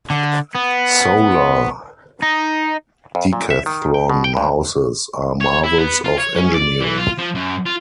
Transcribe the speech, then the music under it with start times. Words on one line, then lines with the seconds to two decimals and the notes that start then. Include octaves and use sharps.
Solar Decathlon houses are marvels of engineering.
0.10 D3
0.55 B3
2.22 D#4
3.15 F2
3.33 A#2
3.50 E5
3.66 D#3
3.94 G5
4.09 B2
4.24 G5
4.37 G2
5.41 C#5
5.64 E4
5.78 B3
6.04 F4
6.18 C#5
6.35 C#4
6.54 D5
6.81 E3
6.98 F4
7.18 F3
7.35 F#2
7.65 F4